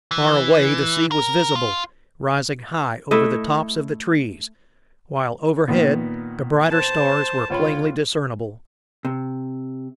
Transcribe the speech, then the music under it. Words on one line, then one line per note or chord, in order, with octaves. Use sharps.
Far away the sea was visible, rising high over the tops of the trees, while overhead the brighter stars were plainly discernible.
E3
A#4
F4
A3 E4 D#5
A#2 D#3 B3
C5 A5
C#2 F4 C#5 B5
C3